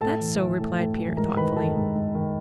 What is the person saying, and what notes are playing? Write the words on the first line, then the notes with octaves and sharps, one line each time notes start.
"That's so," replied Peter thoughtfully.
A2 A4 A5
E3
E3
A2
A2
E3
G#2 A#4 A#5
D#3 B4 B5
D#3 A4 A5
G#2
G#2
D#3